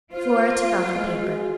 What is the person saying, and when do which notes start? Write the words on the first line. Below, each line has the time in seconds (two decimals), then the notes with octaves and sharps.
Flora took off the paper.
0.12 F4 C5
0.93 G#3
1.23 F#4